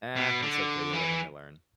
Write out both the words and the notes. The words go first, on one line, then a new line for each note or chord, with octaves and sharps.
Ah, it's okay, you live and you learn.
B2
D3
E3